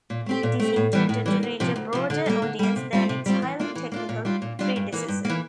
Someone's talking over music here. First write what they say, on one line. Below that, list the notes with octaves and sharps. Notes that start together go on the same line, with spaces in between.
It is intended to reach a broader audience than its highly technical predecessor.
A#2
A3 C4 G4
A#2
A3 C4 G4
A2
E3 G3
A2
E3 G3
D2
C3 F3
D2
C3 F3
D3
G3 A#3
D3
G3 A#3
C3
G3 C4 F4
C3
G3 C4 F4
E3
A#3 D4 F4
E3
A#3 D4 F4
A#2
G3 D4 F4
A#2
G3 D4 F4
G2
E3 A#3
G2
E3 A#3